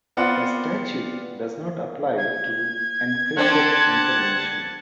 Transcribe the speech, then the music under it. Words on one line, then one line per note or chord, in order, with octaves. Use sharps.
The statute does not apply to "encrypted" information.
B3 C4 F4 D5 F#5
G#6
D3 C4 D4 F#5 A5